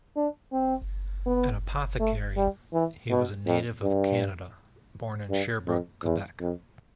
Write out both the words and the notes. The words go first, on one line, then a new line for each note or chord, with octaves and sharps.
An apothecary, he was a native of Canada born in Sherbrooke, Quebec.
D4
C4
B3
A3
G3
E3
B2
F2
G2
G2
F2
E2
F2